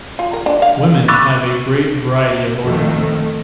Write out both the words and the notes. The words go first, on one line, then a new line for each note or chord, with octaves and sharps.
Women have a great variety of ornaments.
F4
A#4
D4
F5
B5 C#6 D6 E6 F#6 A6
F2 D#3 A3